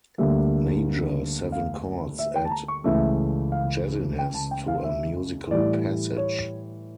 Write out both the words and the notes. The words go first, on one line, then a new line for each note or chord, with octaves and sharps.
Major seven chords add jazziness to a musical passage.
D2 D3 G3 A#3 E5
F5
E5
G5
A5
A#5
C#6
C#2 C#3 E3 A3 E5
F5
G5
A5
G5
F5
E5
A2 E3 G3 D5
C#5